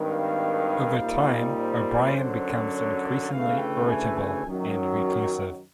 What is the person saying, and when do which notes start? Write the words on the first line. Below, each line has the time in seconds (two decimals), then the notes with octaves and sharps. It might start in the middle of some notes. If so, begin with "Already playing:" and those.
Over time, O'Brien becomes increasingly irritable and reclusive.
Already playing: G#1 G2 D#3
0.11 F5
0.98 A#2 G3 C4 D#4
1.56 C5
2.14 F#2 D3 F#3
2.71 C#5
3.30 D2 C#3 E3 A3 F5
3.58 G5
3.88 G#5
4.16 G#5
4.46 F#2 D#3 F#3